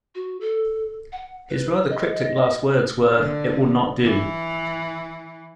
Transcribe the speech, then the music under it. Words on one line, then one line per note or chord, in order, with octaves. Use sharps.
His rather cryptic last words were: "It will not do".
F#4
A4
F#5
B4
D#5
D3
E3